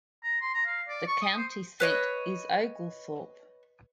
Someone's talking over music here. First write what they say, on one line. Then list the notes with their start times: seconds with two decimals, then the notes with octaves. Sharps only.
The county seat is Oglethorpe.
0.24 A#5
0.41 C6
0.54 A#5
0.66 F5
0.89 D5
1.07 C#6
1.22 D#6
1.37 C5
1.80 B4 C#5 D#5